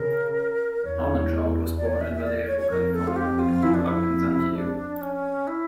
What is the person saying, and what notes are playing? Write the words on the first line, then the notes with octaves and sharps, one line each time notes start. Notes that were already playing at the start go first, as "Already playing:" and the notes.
Armantrout was born in Vallejo, California, but grew up in San Diego.
Already playing: C#3 A#4
E2 C#5
D5
C#5
D5
E5
E5
D5
C#5
C#5
F2 A#4
A4
F4
G4
F4
E4
D4
E4
D4
C#4
E4